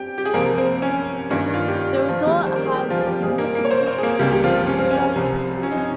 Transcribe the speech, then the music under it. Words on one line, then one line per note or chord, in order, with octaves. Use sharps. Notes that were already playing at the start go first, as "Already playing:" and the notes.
The resort has a significant place in golf history.
Already playing: G4 G5
G4
G#4
C2 C3 F3 A#3 A#4
C4
C#4
G2 D#3 A#3 C#4
F4
G4
F4
G4
F3 F4
D#2 D#3 G3 G#3 G4
C5
A#4
G#4
G3 G4
F3 F4
G3 G4
A#2 F3 G#3 G#4
A#3 A#4
A#3 A#4
C#5
C4 C5
C4 C5
G#4
A#3 A#4
C#2 C#3 G3 A#3 G4
G4
F3 F4
C#4
C4
C#4
C2 C3 F3
C#4
D#4
C#4